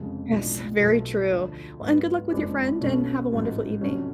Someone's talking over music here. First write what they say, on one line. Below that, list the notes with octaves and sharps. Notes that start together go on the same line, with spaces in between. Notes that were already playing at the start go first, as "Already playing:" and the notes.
Yes, very true. Well, and good luck with your friend, and have a wonderful evening.
Already playing: F1 F2 C#3 G#3
B1 A2 F3 G#3 D4
B1 B2 F#3 A3 F4
D2 D3 F3
G#2 F#3 B3
F#1 F2 F3 G#3 D4
B1 B2 A3 C#4 F4
A1 G#2 F#3 A3 F4
F1 F2 D3 F#3 C#4